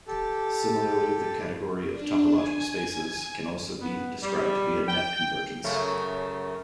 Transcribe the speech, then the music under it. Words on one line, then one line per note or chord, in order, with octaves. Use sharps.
Similarly, the category of topological spaces can also be described via net convergence.
G4 A4
D4
G#5
B3
G3
G5
F#2 C#3 A3